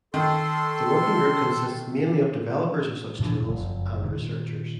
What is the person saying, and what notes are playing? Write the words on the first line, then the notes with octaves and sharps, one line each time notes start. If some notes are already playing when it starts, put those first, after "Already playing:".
The working group consists mainly of developers of such tools and researchers.
D#3 A4 C6
D2 A#2 E3 D4
F#1 F2
A#2 D#3